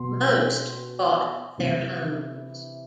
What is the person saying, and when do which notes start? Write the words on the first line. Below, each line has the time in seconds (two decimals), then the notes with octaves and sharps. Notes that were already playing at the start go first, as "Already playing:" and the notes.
Most bought their homes.
Already playing: B2 C6
1.58 C3 E3